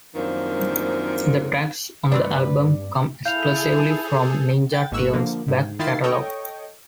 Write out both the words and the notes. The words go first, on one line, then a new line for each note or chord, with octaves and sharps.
The tracks on the album come exclusively from Ninja Tune's back catalogue.
F#2 D#3 F3 A#3 C4 D4
G2 A3 C4 D4 B4 D5
E4 G#4 A4 F5 G6 F7
G5 A6
G#1 G#2 A#3 C#6 E6 F#6
D3 F3 A#3
G#2
D#3 E4 F4 G5 A6 C7
A4 C#5 D#5 G5 C#6